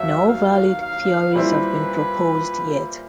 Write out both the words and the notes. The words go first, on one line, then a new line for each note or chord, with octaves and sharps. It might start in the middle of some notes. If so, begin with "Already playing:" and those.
No valid theories have been proposed yet.
Already playing: D#2 F#3 E5
F5
F5
A#2 G3 C4 E4 B4